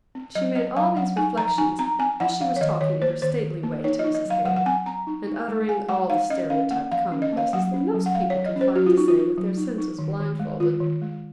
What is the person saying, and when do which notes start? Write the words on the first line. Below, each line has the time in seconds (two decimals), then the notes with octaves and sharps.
She made all these reflections as she was talking in her stately way to Mrs. Hale, and uttering all the stereotyped commonplaces that most people can find to say with their senses blindfolded.
0.15 C4
0.35 F#3 D#5
0.56 C4 D#5
0.76 F#3 F5
0.97 F#3 F#5
1.17 D#4 G#5
1.38 F3 A#5
1.58 D#4 G#5
1.79 C4 A#5
1.99 C4 G#5
2.20 F3 F#5
2.41 F3 F5
2.56 C#5
2.61 D#3 D#5
2.81 D#3 C#5
3.02 A#3 C5
3.22 D#3 C5
3.43 D#3
3.63 A#3
3.84 D#4 C#5
3.99 D#5
4.04 D#4
4.15 D#5
4.25 F#3
4.30 F5
4.45 F#3 F#5
4.56 F#5
4.66 C4 G#5
4.86 C4 A#5
5.07 D#4
5.27 D#4
5.48 G#3
5.68 G#3 G#5
5.88 G#3 F#5
6.10 D#4 F5
6.30 C#4 D#5
6.50 C#4 F5
6.71 A#3 F#5
6.91 F3 F5
7.12 C#4
7.22 D#5
7.33 A#3 F5
7.53 F#3 F#5
7.74 C#4
7.94 F#3
8.06 F#5
8.14 F#3 F5
8.30 F#3 C#5
8.46 D#5
8.56 C#4
8.61 C5
8.76 F#3 F#4
8.86 F4
8.97 D#4
9.08 F4
9.18 D#4
9.38 F#3
9.57 D#4
9.78 D#4
9.99 D#3
10.20 D#3
10.40 G#3
10.60 D#3 F4
10.80 D#3
11.02 G#3